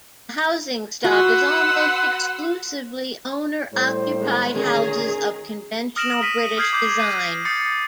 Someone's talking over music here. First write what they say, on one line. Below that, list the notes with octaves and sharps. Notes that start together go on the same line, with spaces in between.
The housing stock is almost exclusively owner-occupied houses of conventional British design.
F#4 B4 F#5 C6 E6
A2 G3 C5
D#3 G#3 B3
D2 A#2 D#3 C#4 G#4 A#5
D#6 F6 A#6 D7 E7 F#7
D#6 F6 B6 D#7
D#6 F6 G6 G#6 C7 F#7
D6 G6 G#6 C7
D#7
D#6 G6 A6 C7 C#7